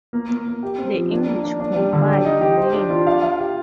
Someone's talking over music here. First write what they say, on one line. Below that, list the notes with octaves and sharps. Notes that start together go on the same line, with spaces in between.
The English complied willingly.
A#3
A#3
A#3
G4
C4
F3
D4
A#3
D4
D4
G3
D3
G4
D#4
G4
C5
D4
F4
F5
F5
G4